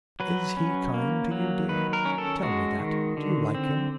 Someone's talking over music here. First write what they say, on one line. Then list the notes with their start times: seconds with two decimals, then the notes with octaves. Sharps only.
Is he kind to you, dear; tell me that; do you like him?'
0.20 F#3 B4
0.57 C#4
0.94 A#3
1.31 F#3
1.69 D#3 B4
1.93 A#4
2.05 C#4
2.18 A4
2.43 G#3 F#4
2.79 D#3
3.17 D3
3.55 C4